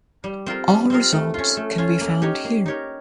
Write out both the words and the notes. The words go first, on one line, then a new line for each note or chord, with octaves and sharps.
All results can be found here.
G3
C4 F4 A#4
G3
C4 F4 A#4
A3
C#4 F4
A3
C#4 F4
A#3
D#4 G4 A#4 C#5
A#3
D#4 G4 A#4 C#5